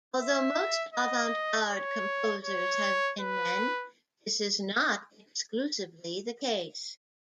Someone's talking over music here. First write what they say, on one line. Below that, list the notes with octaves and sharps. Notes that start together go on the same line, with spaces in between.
Although most avant-garde composers have been men, this is not exclusively the case.
E5
D#5
C#5
C#5
B4